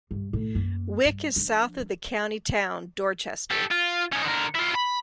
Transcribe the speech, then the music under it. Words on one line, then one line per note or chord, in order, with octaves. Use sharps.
Wyke is south of the county town, Dorchester.
G2
A2
F#2 A#3
G2
F3 D4
G4 A4
F4
C#4 D#4
D3 A#4
E4 F4
B5